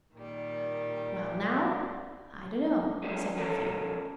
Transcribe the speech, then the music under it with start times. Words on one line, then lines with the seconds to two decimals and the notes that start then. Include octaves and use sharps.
"Well now, I dunno," said Matthew.
0.13 A#2 D#3 G3
3.03 F#3 G#3 C#4 D4 G4
3.37 F3 C#4 A4 A#4